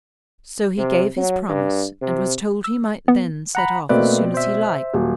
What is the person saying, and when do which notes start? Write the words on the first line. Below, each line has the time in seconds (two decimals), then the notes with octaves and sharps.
So he gave his promise, and was told he might then set off as soon as he liked.
0.78 C3
1.17 F#3
1.49 G2
2.01 C3
2.64 E6
3.08 B3
3.55 F#5 A#5 B5
3.89 B2 A3 A#3 C4 B4 D5
4.34 C5 E5
4.93 D#1 F#3